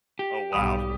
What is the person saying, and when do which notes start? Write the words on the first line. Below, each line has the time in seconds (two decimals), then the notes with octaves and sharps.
Oh, wow.
0.19 G4
0.53 B1 G#2 G3 F5 B5 D#6